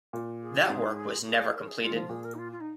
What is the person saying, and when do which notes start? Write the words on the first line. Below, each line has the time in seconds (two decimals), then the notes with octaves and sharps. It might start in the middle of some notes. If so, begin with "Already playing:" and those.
That work was never completed.
0.13 A#2
0.42 G#4
0.69 G#2
1.26 G#4
1.54 A#4
1.68 G#4
1.82 G#3 F4
1.91 D#3
1.96 F3 F4
2.09 A#2 G#4
2.24 A#4
2.34 D#4
2.38 F4
2.52 F4
2.60 D#4